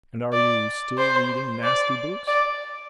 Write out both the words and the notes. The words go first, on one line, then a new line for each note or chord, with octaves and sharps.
"And are you still reading nasty books?"
D5
C5
D5
D5